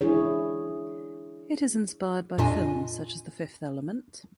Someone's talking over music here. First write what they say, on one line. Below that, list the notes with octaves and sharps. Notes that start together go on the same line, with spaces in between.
It is inspired by films such as The Fifth Element.
D4 E4 G#4 C#5
F2 A#2 D4 F4 D#5 G#5